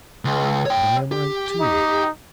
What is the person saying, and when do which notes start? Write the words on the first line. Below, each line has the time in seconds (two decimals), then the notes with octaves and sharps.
'But I am right, too.
0.25 C#2
0.66 C#5 G5
1.12 G4
1.60 D#4